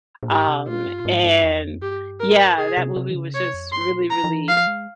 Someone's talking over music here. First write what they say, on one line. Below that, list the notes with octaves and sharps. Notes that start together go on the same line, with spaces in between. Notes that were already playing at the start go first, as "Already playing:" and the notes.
Um, and yeah, that movie was just really, really,
A#2
G#2 G4
C3
A#2 F4
G2
A#2
G#2
G2
E2
F2
G2 G4
G#2 A#4
C3 G#4
C3
C3
E3
C#3
C3 C#5
F2
G2 C6
A#2
A#5
F3
E3
F3 F5
G#3